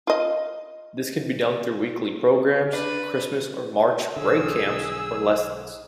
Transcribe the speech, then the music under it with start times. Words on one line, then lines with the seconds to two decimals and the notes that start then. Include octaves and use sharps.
This can be done through weekly programs, Christmas or March Break camps, or lessons.
0.07 F4 D#5
2.73 D4 B4
4.16 B1 D3 G#4 E6